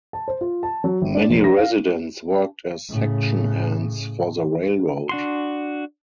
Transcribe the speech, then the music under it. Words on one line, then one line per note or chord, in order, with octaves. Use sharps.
Many residents worked as section hands for the railroad.
A5
C5
F4
A5
F#3
G1
D4
F1
A#6
F5
A2 C#3
D4 F#4 C6